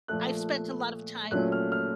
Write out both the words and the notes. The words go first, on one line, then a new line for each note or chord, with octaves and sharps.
I've spent a lot of time
A#2 F3 A3 F#6
A#2 F#3 A3 C#4 F#6
F6
F6